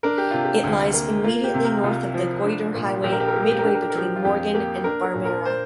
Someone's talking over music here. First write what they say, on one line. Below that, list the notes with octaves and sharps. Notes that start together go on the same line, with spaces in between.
It lies immediately north of the Goyder Highway midway between Morgan and Barmera.
D4 A#4
G4
C3 F4
G4
D2
A#3
A#3 F4
G4
C3
A#4
C2 F4
F3
D4
A#2
A#1 G4
A#4
G4
A#4
A#3 G4
A#4
G4
A#4
D4 G4
A#4
G4
A#4
F3 G4
F4
F2 G4
A#3 G4
D4 A#4
A#4
A#2
A#4
C5